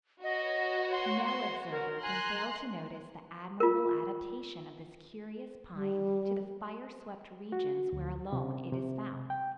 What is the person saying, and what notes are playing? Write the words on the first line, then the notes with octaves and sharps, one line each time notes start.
No observer can fail to notice the admirable adaptation of this curious pine to the fire-swept regions where alone it is found.
F#4 B4 C#5 D#5
C6
C6
A#4
G#5 A#5 C6 F#6
F4 A#4
G3
F#4
D2
C3
C3
G5